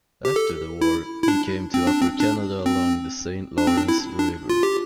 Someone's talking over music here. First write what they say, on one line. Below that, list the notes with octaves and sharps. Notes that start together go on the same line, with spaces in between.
After the war, he came to Upper Canada along the Saint Lawrence River.
G4
A4
E4
E4
D4
C4
D4
C4
D4
C4
D4
C4
D4
E4
D4
F4
G4